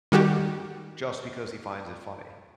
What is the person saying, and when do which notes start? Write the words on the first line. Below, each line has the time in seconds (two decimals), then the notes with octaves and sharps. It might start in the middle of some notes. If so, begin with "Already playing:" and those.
just because he finds it funny.
0.12 D#3 G3 F#4 G4